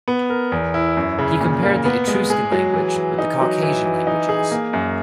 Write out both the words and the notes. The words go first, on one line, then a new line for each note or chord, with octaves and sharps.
He compared the Etruscan language with the Caucasian languages.
B3
A#4
E2
E4
F#2
C#3
A#2
A#3
B3
G#3
G#4
F#3
E3
E3
D#4
F#3
E3
E3
D#4
G#4
A#3
F#2